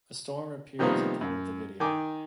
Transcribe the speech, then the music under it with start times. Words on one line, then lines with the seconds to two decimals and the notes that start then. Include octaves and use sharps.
A storm appears at the end of the video.
0.79 C3 D#3 F3 G3 A#3 B3
1.21 F#2
1.80 D#3 G5 G#5 D6